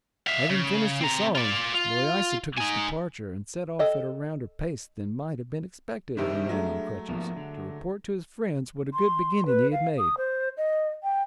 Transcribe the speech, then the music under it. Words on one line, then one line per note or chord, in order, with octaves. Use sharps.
Having finished his song, Loaysa took his departure, and set off at a rounder pace than might have been expected of a man on crutches, to report to his friends what a good beginning he had made.
E5 F5
C#3
C4 A#5
F4 D5
F4
D#4 G#5
A4 D#5 G5
C3 D#3 G3 D4 G#4 E5
F#3 G#3 A3
F3 A#3 B3
D3
C6
B4
F5
D#6
C5
D#5
G5